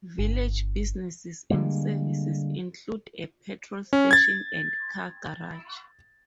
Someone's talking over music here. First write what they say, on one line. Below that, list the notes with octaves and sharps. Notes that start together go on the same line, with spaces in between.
Village businesses and services include a petrol station and car garage.
G1
D3 G3 G#3 A#3
C#4
G#6 A6